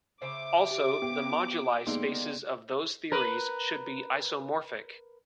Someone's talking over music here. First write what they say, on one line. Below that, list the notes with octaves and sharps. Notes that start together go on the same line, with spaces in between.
Also, the moduli spaces of those theories should be isomorphic.
C#3 C5 E5 D6
G4
B3 G4
D3 G#3 A#3 B3 D#4 G4 D5 C6
A#4 B4